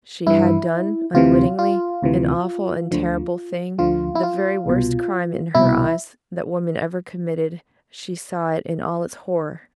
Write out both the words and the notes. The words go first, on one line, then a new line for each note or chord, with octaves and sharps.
She had done--unwittingly--an awful and terrible thing--the very worst crime, in her eyes, that woman ever committed--she saw it in all its horror.
G2 E3 E4
D2 C3 E3 F4
F4
D2 C3 E3
D2 D3 F3
D2 D3 F3 F4
E4
F4
C2 B2
C2 B2 E4